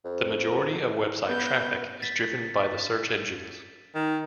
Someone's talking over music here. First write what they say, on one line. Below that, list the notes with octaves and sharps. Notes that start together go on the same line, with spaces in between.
The majority of website traffic is driven by the search engines.
F2
B3 G6
A6 B6
D#3